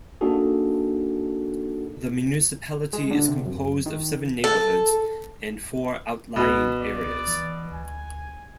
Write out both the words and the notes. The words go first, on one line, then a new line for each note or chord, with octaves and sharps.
The municipality is composed of seven neighborhoods and four outlying areas.
A#3 D4 D#4 F#4 G#4 A4
G#3
D3
C3
F#2
D#3
A4
C#2 B2
D5
E3
D2 G#5